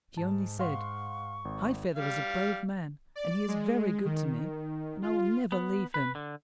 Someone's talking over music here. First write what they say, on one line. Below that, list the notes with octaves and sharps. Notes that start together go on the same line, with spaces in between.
But she only said, "High-feather is a brave man, and he is very good to me, and I will never leave him."
G#2 A5
F5 F#5 C6 C#6
G#1
G3 F5
D5
G#3
D#3
F4
B3
B4
D3